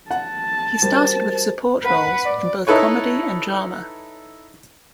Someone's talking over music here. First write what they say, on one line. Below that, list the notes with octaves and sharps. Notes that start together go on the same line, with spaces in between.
He started with support roles in both comedy and drama.
F#5 A5
G3 F#4 A#4 C5
B4 F#5
D5
D#4 E4 A4 B4 C#5